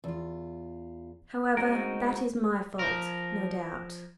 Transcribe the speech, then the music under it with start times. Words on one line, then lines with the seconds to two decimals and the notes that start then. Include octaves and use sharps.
"However, that is my fault, no doubt."
0.04 E2 F4
1.57 G#3 C4 D#4 F#4 A#4
2.79 F3 A#4